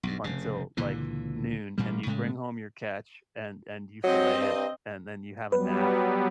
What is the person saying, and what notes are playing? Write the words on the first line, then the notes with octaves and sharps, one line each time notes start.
until, like, noon, and you bring home your catch and and you fillet it and then you have a nap,
B1 G2
F1 C#3
C#2 A#2 D3 E3
A1 A#2 G3
A2 C#3 G#3 A3
F#3 C4 D#5
G2
F#3 G3 B3 B4